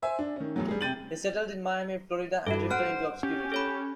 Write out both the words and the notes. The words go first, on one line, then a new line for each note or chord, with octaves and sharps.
He settled in Miami, Florida and drifted into obscurity.
C5 E5 G#5
D4
D#3 C#4
A1 E2 F#3
G3 G#4
C3 G5 G6 A6 D#7 F#7
G2 F#4 A4
C5 F#5 F6 F#6 D7
C#4 G4
A4 C#5 B5